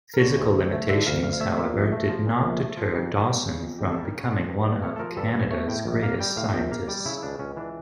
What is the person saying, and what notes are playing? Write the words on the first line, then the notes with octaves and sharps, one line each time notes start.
Physical limitations, however, did not deter Dawson from becoming one of Canada's greatest scientists.
A#4
D3 C#5
D2
D2
A3
D3 E5
D2 F5
D2 F5
F5
A3 E5
A#2 E5
A#1
A3
F3
A#2
A#1
A3
F3
F2
G1
G3
C#3
F2
G1 G4
A4
G3
A#4
C#3 C#5
F3 D5
G2
G2 D5
A3 C#5
A4
F3 A#4
G2 A4
G2
A3 C#5
A2 G5
A#1
A#3 F5
G3 G5
A2 F5
A#1 G5
A#3 F5
G3 D5
C#3 E4
E4
C#2 D4
C#2 C#4
E3 D4